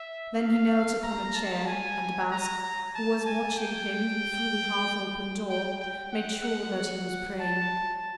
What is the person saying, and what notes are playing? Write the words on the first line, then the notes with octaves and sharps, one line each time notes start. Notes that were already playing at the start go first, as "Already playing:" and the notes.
Then he knelt upon a chair, and Basque, who was watching him through the half-open door, made sure that he was praying.
Already playing: E5
F5
A#5
A5
G#5
A#5
A5
G#5
G5
G5
G5
F#5
F#5
A5